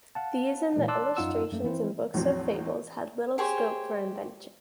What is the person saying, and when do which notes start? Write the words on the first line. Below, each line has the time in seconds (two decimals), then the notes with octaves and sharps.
These and the illustrations in books of fables had little scope for invention.
0.15 F5 F#5 A5
0.76 A#2 E3 G#3
0.88 D5 A5 C6 D6 E6 F#6
1.17 F#2 D#4 F4 F#5 E6
1.52 F#2 A3 A#3
1.64 E3 C4 E4 C5
2.14 E2 A2 F3 F#3 C4
3.38 G4 G#4 C5 C#5